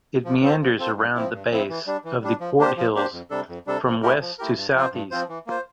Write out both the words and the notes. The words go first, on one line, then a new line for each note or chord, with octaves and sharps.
It meanders around the base of the Port Hills from west to south-east.
F3
C4 F4 A4 C5
F3
C4 F4 A4 C5
G2
F3 C4 E4
G2
F3 C4 E4
E3
G3 D4
E3
G3 D4
F3
A#3 D4 G4 C5
F3
A#3 D4 G4 C5
F2
C3 G3 D4 A4
F2
C3 G3 D4 A4
F3
A3 E4 G4 A#4
F3
A3 E4 G4 A#4
G2
F3 C4 F4 C5
G2
F3 C4 F4 C5
E3
A#3 F4 C5